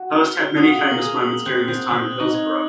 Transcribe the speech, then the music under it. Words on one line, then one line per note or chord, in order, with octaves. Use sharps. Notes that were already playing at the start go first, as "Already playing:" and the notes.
Hirst had many famous moments during his time at Hillsborough.
Already playing: F#4
F6
F6
F#4 D#6
F4
G#4 F#7
A#4
G#4 D#6
D#6
C4 F#6
C4 F#6
C4 F6
F#7
D#4
G#6